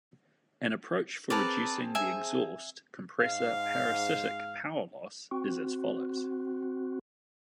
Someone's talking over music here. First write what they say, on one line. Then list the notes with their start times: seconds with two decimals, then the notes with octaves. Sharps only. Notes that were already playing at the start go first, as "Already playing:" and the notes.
An approach for reducing the exhaust compressor parasitic power loss is as follows.
1.30 C4 G#4 A#4 B4 D5 A5
1.95 E5 G#5
3.21 G#2 F5
5.31 C4 F#4